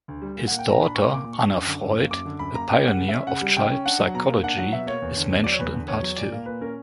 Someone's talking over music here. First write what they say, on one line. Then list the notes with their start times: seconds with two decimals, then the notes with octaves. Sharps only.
His daughter Anna Freud, a pioneer of child psychology, is mentioned in part two.
0.08 D2
0.22 G3
0.36 A#2
0.47 A#3 F#5
0.59 G5
0.65 A#2
0.71 A#5
0.80 D4 B5
0.95 A#2 C#6
1.09 A#3 D6
1.24 A#2
1.33 C#6
1.38 D4
1.52 F#2
1.67 D3
1.82 F#2
1.97 A#3
2.11 F#2 D6
2.25 D3
2.39 F#2 B5
2.54 A#3 A#5
2.69 C#3 G5
2.83 G3 F#5
2.97 C#3
3.08 C#4 E5
3.27 C#3 F#5
3.42 G3
3.56 C#3 G5
3.71 C#4
3.85 D4 F#5
3.99 F#3
4.14 B2 A#5
4.28 A#3
4.43 D4 F#5
4.57 F#3 F#5
4.72 B2 E5
4.86 A#3 C#5
5.02 E2
5.16 D3
5.30 E2
5.44 F#3 D5
5.52 C#5
5.59 E2 B4
5.74 D3
5.88 E2 C#5
6.03 F#3
6.17 A#2 D5
6.32 A#3
6.46 A#2 B4
6.61 C#4 A#4